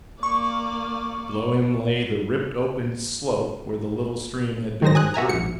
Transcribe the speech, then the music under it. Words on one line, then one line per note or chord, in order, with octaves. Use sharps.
Below him lay the ripped-open slope where the little stream had been diverted.
A#3 D5 C#6
D#3 F#3 G#4 C5 A#6
G#5 D#6 F#6
F#4 E5 G#5 A#5
A#1 C#7